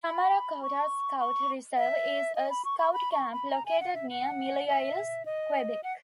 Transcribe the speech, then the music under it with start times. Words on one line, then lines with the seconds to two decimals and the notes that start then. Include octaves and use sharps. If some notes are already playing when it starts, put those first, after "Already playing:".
Tamaracouta Scout Reserve is a Scout camp located near Mille Isles, Quebec.
0.04 B5
0.63 C#6
1.20 C#6
1.78 E5
2.35 D#5
2.50 B5
2.65 C#6
2.80 C#6
2.93 B5
3.12 C#6
3.32 B5
3.51 A#5
3.66 G#5
3.80 F#5
3.94 E5
4.10 F#5
4.67 E5
5.26 D#5
5.84 F#5